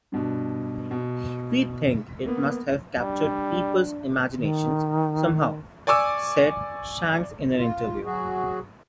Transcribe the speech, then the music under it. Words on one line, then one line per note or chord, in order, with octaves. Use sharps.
"We think it must have captured people's imaginations somehow", said Shanks in an interview.
G2 B2 D4
B2
A#3 B3
G3 D4
D#3
D5 G#5 C#6 D6 E6
F4
F#3 F#4 G#4